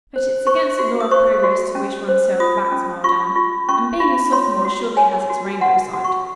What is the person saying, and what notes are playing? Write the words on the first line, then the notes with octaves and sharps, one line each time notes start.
"But it's against the law of progress to wish one's self back," smiled Anne, "and being a sophomore surely has its rainbow side."
C5
C5 C#6
F#4
D#6
C5 C#6
F#4
C#4
C5
F4 D#6
C#4
F4 C#6
F4
C#4 C#6
F4
C#5 C6
F#4
C#5 G#5
F#4
F#4 F#5
F#4
C#6